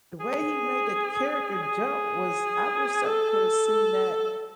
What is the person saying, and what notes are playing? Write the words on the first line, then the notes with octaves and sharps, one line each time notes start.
The way he made the character jump was I wish I could have seen that
G#4
G#4
A4